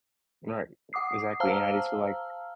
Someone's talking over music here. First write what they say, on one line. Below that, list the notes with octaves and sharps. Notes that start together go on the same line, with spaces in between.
Right, e exactly, and I just feel, like
F#5 D6 D#6 C7
C5 F5 A5 A#5 E6 F6